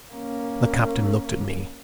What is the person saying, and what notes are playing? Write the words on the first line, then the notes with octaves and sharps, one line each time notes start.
The captain looked at me.
A#3 C#4